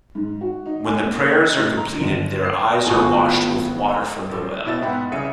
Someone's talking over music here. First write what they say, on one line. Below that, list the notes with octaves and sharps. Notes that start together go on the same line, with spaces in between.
When the prayers are completed their eyes are washed with water from the well.
G#2
F#4
D#4
G#5
A#3
C5
D#5
A2
A#5
G1
C7
G#1 A2 B3 F4 F#4 G#4 C#6
A1 A4
C5
B2 E4 D#5 E5 E6 A6
G#2 B3 F#5 G5 B5
C2 C#3 G#4 E5 C#7 D#7